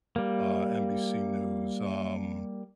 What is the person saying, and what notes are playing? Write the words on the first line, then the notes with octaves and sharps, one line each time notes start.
uh, NBC News, um,
G3 A#3